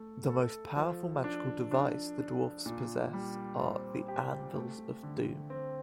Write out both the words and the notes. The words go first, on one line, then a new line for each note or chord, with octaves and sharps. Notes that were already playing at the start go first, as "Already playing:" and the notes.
The most powerful magical device the Dwarfs possess are the Anvils of Doom.
Already playing: A3 A4
A4
F3
D4
D4
D4
A#2
G3
C4
G4
A3
D3
C4